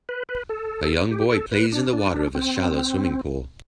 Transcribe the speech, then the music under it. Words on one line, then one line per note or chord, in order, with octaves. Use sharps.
A young boy plays in the water of a shallow swimming pool.
B4
B4
A4
G4
A4
B4
D4
D4
D4
C4